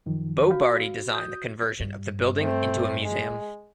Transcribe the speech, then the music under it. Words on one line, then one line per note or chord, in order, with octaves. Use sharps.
Bo Bardi designed the conversion of the building into a museum.
F#2 D#3 F3
F#4 F5
D#6 G6
G2
A3 C4
G#3